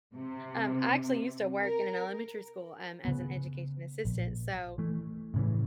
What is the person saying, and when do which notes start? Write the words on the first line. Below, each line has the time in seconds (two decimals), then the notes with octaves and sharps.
Um, I actually used to work in an elementary school, um, as an education assistant, so,
0.14 C3
1.60 A#4
3.05 C#3 B3
4.05 A#1
4.78 E3 A3
5.34 A2 C#3 E3